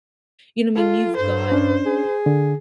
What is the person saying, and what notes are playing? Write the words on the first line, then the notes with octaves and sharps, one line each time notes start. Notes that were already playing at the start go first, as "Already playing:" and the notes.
you know, I mean, you've got,
F4 A4
G2 C5
C#4 D4
G#4
D3